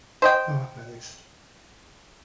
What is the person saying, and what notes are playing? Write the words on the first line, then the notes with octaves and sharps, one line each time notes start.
Oh, nice.
C5 D#5 G5